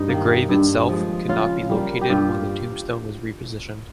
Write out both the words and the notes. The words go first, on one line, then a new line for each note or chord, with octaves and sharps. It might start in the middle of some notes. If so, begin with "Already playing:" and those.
The grave itself could not be located when the tombstone was repositioned.
Already playing: G2 D#4
D#3 A#3
G2
F3 G#3
C#3 F4
G3 A#3
G4
G2 F4